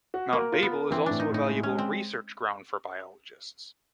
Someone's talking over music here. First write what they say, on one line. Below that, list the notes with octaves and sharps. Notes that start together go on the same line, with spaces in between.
Mount Babel is also a valuable research ground for biologists.
F#4
A#3 A#4
F4
B3
A#4
E3 C4
A2 D4
D#4
A2 D#4
G#3
C#4
G#3
C4